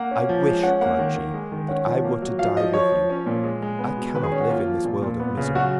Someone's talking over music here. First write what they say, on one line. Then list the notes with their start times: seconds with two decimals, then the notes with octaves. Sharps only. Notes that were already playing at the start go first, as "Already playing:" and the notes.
"I wish," cried she, "that I were to die with you; I cannot live in this world of misery."
Already playing: A#3 F#5
0.11 C#4
0.29 F3
0.45 G#3
0.63 C#4 F#5
0.81 A#3 F#5
0.99 D#3
1.16 D#3
1.34 G#3
1.52 D#3
1.68 C#4 F#5
1.86 F3
2.04 A#3
2.22 F#3
2.39 F3 F5
2.57 F3 D#5
2.73 F3 C#5
2.92 F3
3.10 C#4
3.27 A#2
3.44 G#3
3.62 G#3
3.79 B3
3.97 B2
4.14 D#3 B4
4.23 G#4
4.32 C#4
4.40 F#4
4.50 A#3 F4
4.66 F3
4.85 A#2
5.02 A#2
5.20 B3
5.37 C#3
5.55 F#3 F#4